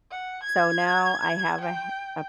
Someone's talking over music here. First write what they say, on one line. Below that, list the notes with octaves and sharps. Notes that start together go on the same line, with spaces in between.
So, now I have a h a
F#5
G#6
G5